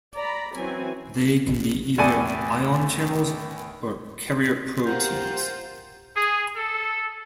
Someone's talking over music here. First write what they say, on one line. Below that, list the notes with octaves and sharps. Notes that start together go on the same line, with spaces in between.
They can be either ion channels or carrier proteins.
D5 A#5 B5
E3 F#3 C4 C#4 G#5
E2 A2 A4 D5 G#5 D#7
F4 G4 A#4 C5 F#5 G6
G#4
A4